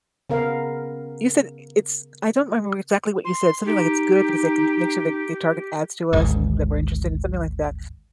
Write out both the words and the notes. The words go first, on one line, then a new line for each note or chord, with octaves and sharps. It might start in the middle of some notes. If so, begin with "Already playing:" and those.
you said it's I don't remember exactly what you said, something like it's good because they can make sure, like, they target ads to us and that we're interested in something like that.
C#3 B3 A#4 F5
C6
D#4 G4
G#1 D2 G#2